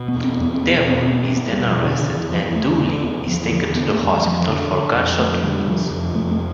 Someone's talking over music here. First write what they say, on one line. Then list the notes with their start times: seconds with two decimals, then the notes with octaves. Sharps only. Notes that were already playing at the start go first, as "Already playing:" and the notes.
Devon is then arrested and Dooley is taken to the hospital for gunshot wounds.
Already playing: B2
0.08 B3
0.16 E2
0.24 C4
0.41 E2 B3
0.54 C4
0.64 B2 B3
0.88 B2 C4
1.06 C4
1.12 E2 B3
1.25 C4
1.36 E2 B3
1.52 G3
1.60 B2
1.68 F3
1.84 D3 E3
2.00 D3
2.08 E2
2.16 E3
2.32 E2 F3
2.55 D3 A3
2.79 D3 B3
3.04 E2 B3
3.28 E2 F3
3.52 D3 F3
3.75 D3 B3
3.91 A3
3.99 F2
4.07 G3
4.17 E3
4.23 F2 F3
4.47 D3
4.71 D3
4.95 F2
5.19 F2 A3
5.43 D3 G3
5.55 G3
5.67 C3 F3
5.91 F2
6.14 F2 A3
6.31 A3